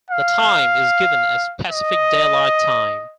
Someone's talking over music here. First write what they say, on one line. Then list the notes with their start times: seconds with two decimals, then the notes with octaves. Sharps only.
The time is given as Pacific Daylight Time.
0.10 F5
1.70 D#5